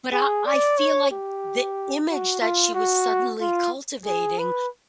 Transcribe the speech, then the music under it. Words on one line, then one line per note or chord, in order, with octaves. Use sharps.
but I I feel like the image that she was suddenly cultivating
G#4
D5
C#5
G4
F#4
F4
F#4
F4
G#4
B4